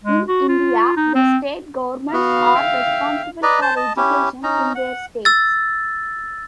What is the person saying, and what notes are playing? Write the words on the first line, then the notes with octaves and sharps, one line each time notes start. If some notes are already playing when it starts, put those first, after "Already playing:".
In India, the state governments are responsible for education in their states.
G#3
F#4
F4
D#4
C4
B3 F#4 F5
E5 G5
B4 D5 D#5 A#5
C5 A5
D#5 A5
C#4 E4 G4
C#4 D#4 A#5
F#5
E6 A6